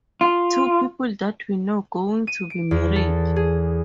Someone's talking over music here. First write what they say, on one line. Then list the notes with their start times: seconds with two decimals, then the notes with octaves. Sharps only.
Two people that we know going to be married.
0.21 F4
2.27 D#7
2.50 D7
2.71 E2
2.96 A4
3.36 G#4